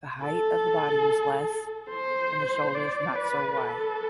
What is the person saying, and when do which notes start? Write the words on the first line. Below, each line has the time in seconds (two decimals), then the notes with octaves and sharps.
The height of the body was less, and the shoulders not so wide.
0.23 A4
1.90 C5
2.74 D5
3.16 B4
3.57 A4